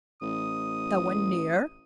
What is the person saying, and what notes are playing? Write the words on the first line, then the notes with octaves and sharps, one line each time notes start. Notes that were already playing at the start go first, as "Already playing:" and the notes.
No one near.
A1 D#6